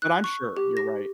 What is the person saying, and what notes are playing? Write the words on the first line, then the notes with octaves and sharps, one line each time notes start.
but I'm sure you're right.
F#6
C#6
G4
A#6